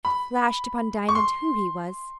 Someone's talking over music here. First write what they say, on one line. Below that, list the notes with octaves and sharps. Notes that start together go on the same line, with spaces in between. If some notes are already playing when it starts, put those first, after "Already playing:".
It flashed upon Diamond who he was.
B5
C#6
C6